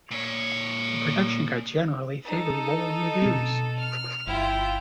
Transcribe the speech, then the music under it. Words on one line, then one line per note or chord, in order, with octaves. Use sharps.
The production got generally favorable reviews.
A#2 C#5
D#4 A4
B2 C4
F6
G1 E4 F4 G5